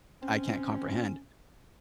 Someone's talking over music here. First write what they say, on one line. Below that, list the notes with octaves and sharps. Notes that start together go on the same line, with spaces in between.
I can't comprehend.
C4 C#4